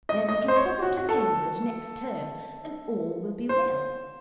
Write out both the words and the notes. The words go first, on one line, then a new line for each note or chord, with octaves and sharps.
Then I can pop up to Cambridge next term, and all will be well.'
D#5
D#5
C5
C#5
F#4
F#4
A4
C5